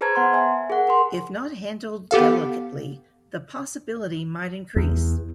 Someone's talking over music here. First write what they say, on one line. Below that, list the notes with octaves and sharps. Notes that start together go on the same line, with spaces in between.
If not handled delicately, the possibility might increase.
G#4 B4 C5 A5 A#5 G#6
B3 F#5 A#5 C6
E5 G#5
G#4 A#4 F#5
A#4 C6
B3 G4 A4 F5
E2